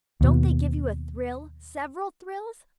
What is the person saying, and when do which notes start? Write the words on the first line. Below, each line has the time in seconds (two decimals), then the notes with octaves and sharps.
Don't they give you a thrill--several thrills?
0.21 D#2 B2